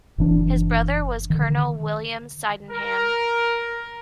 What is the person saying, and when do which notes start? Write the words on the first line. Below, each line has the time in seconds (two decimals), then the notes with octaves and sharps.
His brother was Colonel William Sydenham.
0.18 F#1 E3 D4
1.30 D3 D#3
2.71 A#4